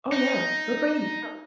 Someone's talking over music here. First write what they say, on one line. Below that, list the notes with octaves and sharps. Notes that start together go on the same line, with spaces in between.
Oh, yeah. It'll bring you down.
D#4